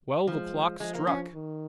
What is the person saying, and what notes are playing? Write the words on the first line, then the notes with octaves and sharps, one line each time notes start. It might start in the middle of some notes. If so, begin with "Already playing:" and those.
Twelve o'clock struck!
F3 G#3
F3 G#3
A#3
C#4
D#3